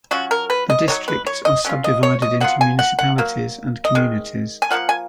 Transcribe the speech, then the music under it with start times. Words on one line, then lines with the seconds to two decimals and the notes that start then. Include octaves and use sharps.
The districts are subdivided into municipalities and communities.
0.11 F#3 C#4 F4 F#4
0.31 A#4
0.50 B4
0.70 D#5
0.88 F#3 B3 D#4 C#5
1.08 B4
1.27 C#5
1.45 D#5
1.65 F#3 C#4 F4
1.84 D#5
2.03 C#5
2.22 D#5
2.40 F#3 B3 F4 F#5
2.61 G#5
2.79 F#5
2.99 F#5
3.18 F#3 A#3
3.85 D#5
3.95 D#3 G#3
4.62 G#5
4.71 F3 A#3 F4 F#5
4.89 G#5